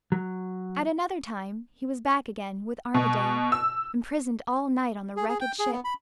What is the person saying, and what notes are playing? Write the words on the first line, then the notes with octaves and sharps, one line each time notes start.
At another time he was back again with Armadale, imprisoned all night on the wrecked ship.
F#3
B2
E6
G#4
G#4
G5
G#4
B3
B5